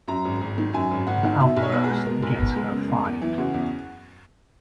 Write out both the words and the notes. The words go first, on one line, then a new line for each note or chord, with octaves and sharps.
The outburst gets her fired.
F#2 A#5
G#1
G#1
D#3
F#2 G#5
G#1
G#1 F#5
D#3
B2 E5
B1
C#5
B3
G#4
G#3
B2 A#4
B1
B3
G#3
C#3
E2
E2
E3
C#3 F#4
E2